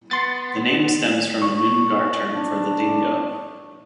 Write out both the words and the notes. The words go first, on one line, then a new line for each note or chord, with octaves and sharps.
The name stems from a Noongar term for the dingo.
B3 C6 A6
C#6
D4